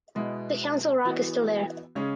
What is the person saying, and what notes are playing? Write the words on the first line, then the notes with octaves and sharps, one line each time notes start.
The Council Rock is still there.
B2 G#3 B3 E4
E3 B3 F#4
C#3 G#3 C#4 G#4